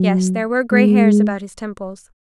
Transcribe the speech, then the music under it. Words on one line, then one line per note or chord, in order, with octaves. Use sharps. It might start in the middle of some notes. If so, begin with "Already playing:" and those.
Yes, there were gray hairs about his temples.
Already playing: F#3
G#3